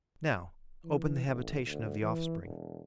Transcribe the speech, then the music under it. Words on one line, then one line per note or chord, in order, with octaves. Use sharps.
Now open the habitation of the offspring.
E3
A1
D2
E3
E1